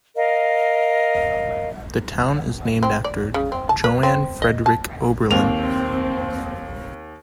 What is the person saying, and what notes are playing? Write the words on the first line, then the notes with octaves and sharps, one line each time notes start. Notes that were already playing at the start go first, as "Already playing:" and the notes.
The town is named after Johann Friedrich Oberlin.
A#4 D#5 F5
C4
D5
C#3
C4
A5
B4
C4
D#5
A5
D#2 A#3 C4 F7